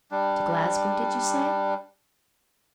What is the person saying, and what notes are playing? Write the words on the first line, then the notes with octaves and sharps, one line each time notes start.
To Glasgow, did you say?
G3 D4